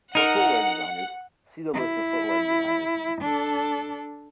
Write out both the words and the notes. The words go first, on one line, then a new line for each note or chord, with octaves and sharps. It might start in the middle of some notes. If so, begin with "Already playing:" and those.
For footwear designers, see the list of footwear designers.
D#4 A#4 F#5
E4
D4 A4